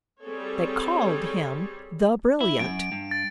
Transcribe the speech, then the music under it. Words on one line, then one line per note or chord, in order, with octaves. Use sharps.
They called him THE BRILLIANT.
G3 C4 G#4 A4 C#5
E4
F#2 D7
G2
A6